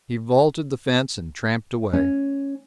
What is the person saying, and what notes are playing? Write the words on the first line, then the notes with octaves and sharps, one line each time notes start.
He vaulted the fence and tramped away.
C#4